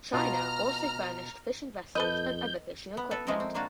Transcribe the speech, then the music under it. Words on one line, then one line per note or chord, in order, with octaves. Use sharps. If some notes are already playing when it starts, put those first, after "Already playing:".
China also furnished fishing vessels and other fishing equipment.
B2 F4 A#5 F6
F2 A4 B4 D#5 G6
B3
A4 B4 E5
F3 G#3 A3 C#4 D#4 A#4
C4
A#2 A#3 D4 F4 F#4 F5